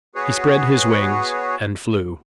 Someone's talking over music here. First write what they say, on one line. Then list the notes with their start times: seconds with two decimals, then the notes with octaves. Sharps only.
He spread his wings and flew.
0.15 B3 F#4 G#4 B4 C#5